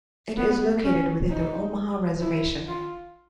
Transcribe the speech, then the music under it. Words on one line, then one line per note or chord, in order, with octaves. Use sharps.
It is located within the Omaha Reservation.
B3
C#4
D#4
E4
F4